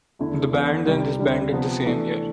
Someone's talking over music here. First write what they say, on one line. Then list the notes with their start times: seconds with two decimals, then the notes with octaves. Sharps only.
The band then disbanded the same year.
0.19 E2 D3 A3 E4
0.52 E3 B3 E4 A4
0.86 C2 C3 G3
1.19 D2 D3 G3
1.52 C3 F3 B3
1.85 E3 A3 D4